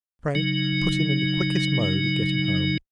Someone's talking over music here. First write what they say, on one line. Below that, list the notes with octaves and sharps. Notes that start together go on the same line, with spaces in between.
Pray, put him in the quickest mode of getting home.
C#3 F#3 D#4